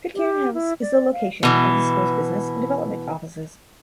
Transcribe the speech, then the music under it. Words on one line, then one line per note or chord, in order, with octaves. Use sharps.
Pitcairn House is the location of the school's business and development offices.
G4
E4
D5
F5
B2 E3